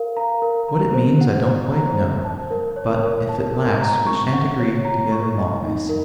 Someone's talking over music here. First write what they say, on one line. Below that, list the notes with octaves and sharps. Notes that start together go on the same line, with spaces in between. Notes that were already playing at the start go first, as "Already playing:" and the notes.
'What it means I don't quite know; but, if it lasts, we shan't agree together long I see.
Already playing: A#4 F5
A#5
A#4
A#5
C5
F#5
C5
A#5
C5
A5
A#4
C#5
A#4
A5
A#4
A#5
C#6
F#5
C#5
A#5
C#6
D#5
D#4
A#4